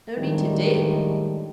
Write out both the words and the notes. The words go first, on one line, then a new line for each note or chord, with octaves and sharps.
No need to dig.
A2 D#3 F3 G3 G#3 D4